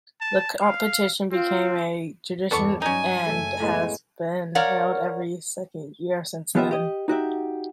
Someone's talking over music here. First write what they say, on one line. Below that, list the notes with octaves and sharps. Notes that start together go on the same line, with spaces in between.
The competition became a tradition and has been held every second year since then.
A5
F5
C4 F4
E2 G2 B3 A4 D5 C#6
G2 F#3 C#4 D#4 G#5
F#1 A3 A4
A2 G#3 B3
A#4 C#5 D5 F5 F#5
F3 B3 F4 G4 D#5 E5
G4 D#5
D#4 F#4 G4 E5